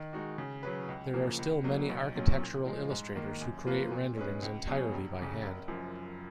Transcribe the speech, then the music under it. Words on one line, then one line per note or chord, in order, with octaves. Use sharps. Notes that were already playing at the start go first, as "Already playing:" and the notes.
There are still many architectural illustrators who create renderings entirely by hand.
Already playing: D#3
G#3 D#4 F#4
C#3
F#3 C#4 G#4 B4
C#2
C#3 F3 A#3
C#2
B2 F#3 A#3
B1
A#2 F#3 C#4
A#2
F3 G#3
G#2
D#3 A#3
F#2
F3 A#3 F4 B4
A#2
G#3 C#4 G#4 B4
C#2
B2 F#3 C#4 G#4
F1
F2 C#3
F#1
F#2 F3